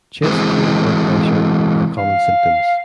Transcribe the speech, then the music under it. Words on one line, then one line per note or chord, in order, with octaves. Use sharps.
Chest pain or pressure are common symptoms.
E3 G#3 C4
F5